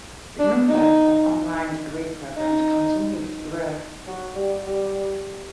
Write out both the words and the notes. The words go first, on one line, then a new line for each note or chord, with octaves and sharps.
The number of online degree programs continues to grow.
D4
D#4
D#4
F#3
G3
G3